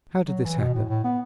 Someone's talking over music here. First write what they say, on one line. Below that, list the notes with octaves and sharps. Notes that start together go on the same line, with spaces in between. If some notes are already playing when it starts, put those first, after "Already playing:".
How did this happen?
F#3
E3
B2
A2
A2
B3